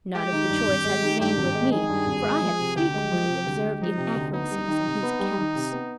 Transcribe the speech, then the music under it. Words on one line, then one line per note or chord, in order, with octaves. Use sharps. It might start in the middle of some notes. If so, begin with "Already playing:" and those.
"Not if the choice had remained with me, for I had frequently observed inaccuracies in his accounts."
G#3 G4
D#3
G2
G#1
G#3
D#3
G2 G4
G#1
G#3
D#3 G#4
G2
G#1
G#3
F3
C3
D2 G4
G#3
F3
C3
D2
G#3
F3 D#4
C3
D2
B3 D#4
G3
D#3
C3
B3
G3
D#3
C3
B3